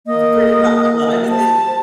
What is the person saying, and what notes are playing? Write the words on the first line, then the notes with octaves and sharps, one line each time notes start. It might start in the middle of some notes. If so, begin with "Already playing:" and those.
M pretty much. Well, I mean they
A#3 D#5
C5 A5